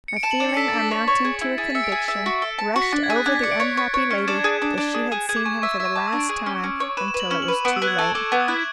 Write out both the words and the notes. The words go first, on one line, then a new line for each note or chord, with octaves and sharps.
A feeling, amounting to a conviction, rushed over the unhappy lady that she had seen him for the last time until it was too late.
C#7
D7
A5 E7
F#7
D4 E7
C#7
A4 B6
A6
D4
B6
C#5
C#5
G#4
E4
G#4 A6
B6
E5 C#7
D7
G#4
E5
F#4
A4
A5
F#4
B6
D4 A6
G#6
G#4
F#6
D4 G#6
B6
D5 C#7
D7
C#5
C#5
C#5
C#4
D4 E7
G#6
G#4
D4
D4
G#4
G#4
G#4 G#6
D6
G#4 C#6
E5 C#6
C#6
E5
C#6
A5 D6
E6
D4
D7
G#4
C#4
C#4
C#5
B4 E7
E7
B4
F#7
C#4 E7
F#7
B4
B3 D7
E6
B3 F#6
G#6
A4 C#6
A4 D6
B3 D6
E6
E4 F#6
G#6